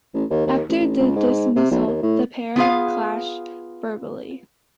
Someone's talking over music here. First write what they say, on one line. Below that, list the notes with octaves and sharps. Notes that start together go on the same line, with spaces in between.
After the dismissal the pair clashed verbally.
A1
D#2
D#2
A1
C#2
G#2
C3
B1
D#2
A2
B3 F4 G#4 F5